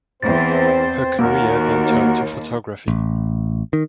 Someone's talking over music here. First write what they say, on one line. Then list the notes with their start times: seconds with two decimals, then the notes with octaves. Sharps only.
Her career then turned to photography.
0.23 E2 C4 C5 A6
1.19 D#2 A#3 F#4 A#4
2.88 A1
3.73 D#3